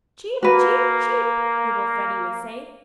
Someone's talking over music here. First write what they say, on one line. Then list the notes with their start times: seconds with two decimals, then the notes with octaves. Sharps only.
"Cheep, cheep, cheep!" little Freddy would say.
0.43 A#3 F#4 B4